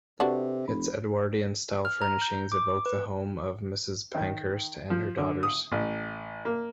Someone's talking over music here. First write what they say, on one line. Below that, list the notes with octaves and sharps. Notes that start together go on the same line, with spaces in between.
Its Edwardian style furnishings evoke the home of Mrs Pankhurst and her daughters.
C3 D4 F#4 G4 A4 B4
F1 B5
F6
A#5
G6
D6
B4
D#3
F3
D3
D#6
A1
A#3